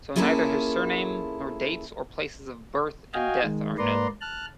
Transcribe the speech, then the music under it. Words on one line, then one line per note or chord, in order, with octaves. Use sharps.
So, neither his surname, nor dates or places of birth and death are known.
A#3 C#4 E4 F4 G#4 A4
F#4 D#5 F5 G5 G#5
D#3 G#3
G#2 A#3 B4 D5 A#5 C6
A5 F6 F#6